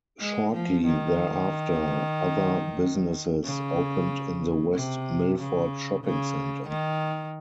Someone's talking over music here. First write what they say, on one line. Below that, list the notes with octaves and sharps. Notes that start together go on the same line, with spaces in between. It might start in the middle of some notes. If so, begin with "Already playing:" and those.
Shortly thereafter, other businesses opened in the West Milford Shopping Center.
G#3
F3
D#3
C#3
C3
C#3
C#3
D#3